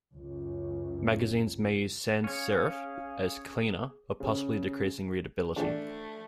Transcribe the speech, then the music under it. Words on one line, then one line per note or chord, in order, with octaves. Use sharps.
Magazines may use sans-serif as "cleaner", but possibly decreasing readability.
C#2 F#2
C#4 G#4 C#5 F5
C#3
A1 E2 A3 D4